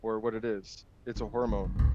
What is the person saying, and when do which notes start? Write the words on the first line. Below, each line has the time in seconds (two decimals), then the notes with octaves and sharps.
or what it is? It's a hormone.
1.16 F3 E4
1.49 D3 A#3
1.62 G2 F#3
1.76 D2 A2